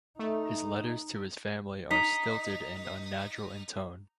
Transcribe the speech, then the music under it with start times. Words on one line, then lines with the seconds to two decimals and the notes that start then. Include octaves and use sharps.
His letters to his family are stilted and unnatural in tone.
0.19 A3 D#4
1.91 D#4 B6